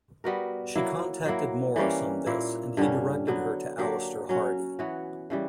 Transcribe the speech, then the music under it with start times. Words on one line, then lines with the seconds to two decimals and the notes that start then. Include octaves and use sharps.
She contacted Morris on this and he directed her to Alister Hardy.
0.24 G3 B3 F#4 A#4
0.76 F#3 A#3 E4
1.25 F#3 A#3 E4
1.76 E3 G3 A#3 C#4
2.26 A#2 A#3 E4
2.77 G2 D3 G3 C#4
3.27 D3 F#3 B3
3.78 F#3 A#3 D4 G4
4.29 F#3 C#4 F#4
4.79 E3 B3 F#4 C#5
5.30 C#3 E3 G3